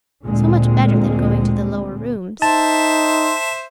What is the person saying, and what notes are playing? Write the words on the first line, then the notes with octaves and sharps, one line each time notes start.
So much better than going to the Lower Rooms.
D2 A#2 D3 G#3 C4
D#4 C5 E5 A5